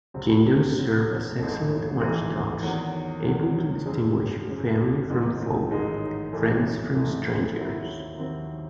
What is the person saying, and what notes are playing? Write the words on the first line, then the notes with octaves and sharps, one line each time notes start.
Jindos serve as excellent watchdogs, able to distinguish family from foe, friends from strangers.
C#2 C3 F#3 C4
C#2 C3 F#3 C4
A1 G#2 E3 A3 C4
A1 G#2 E3 A3 C4
E2 D#3 F#3
E2 D#3 F#3
F#2 C#3 G#3
F#2 C#3 G#3
A1 G#2 D#3 G#3 D#4
A1 G#2 D#3 G#3 D#4
A1 G#2 E3 A3
A1 G#2 E3 A3
D#2 D#3 F#3 C4 E4
D#2 D#3 F#3 C4 E4